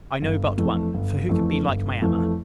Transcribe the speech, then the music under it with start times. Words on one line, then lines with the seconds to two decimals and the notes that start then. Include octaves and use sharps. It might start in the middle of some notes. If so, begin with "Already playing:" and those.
I know but one; for, who can be like my Emma?
0.22 G1
0.57 F2 E3 A3
0.94 G1
1.29 F2 E3 A3
1.66 G1
2.01 F2 E3 A3